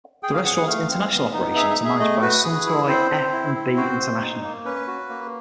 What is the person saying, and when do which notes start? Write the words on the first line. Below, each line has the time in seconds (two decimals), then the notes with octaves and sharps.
The restaurant's international operations are managed by Suntory F and B International.
0.23 G#4 G5
0.34 F5
0.45 G#4 F#5
0.56 F#5
0.67 A3 F5
0.90 C4
1.11 B3
1.34 D#4
1.56 G#4 E5
1.70 E5
1.78 G#4
1.85 E5
2.00 A3 D#5
2.22 F#4 B4
2.44 G#4
2.66 E4
2.89 C4 C5
3.11 C4
3.32 E4
3.55 C4
3.77 F#4 C5
3.99 C4
4.21 D#4
4.43 A#3
4.65 C#4 B4
4.88 F#4
5.09 A#3